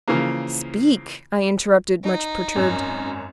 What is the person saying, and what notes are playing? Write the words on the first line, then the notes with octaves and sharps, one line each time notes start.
"Speak," I interrupted, much perturbed.
C#3 E3 F3 A#3
D#4
G#1 F#2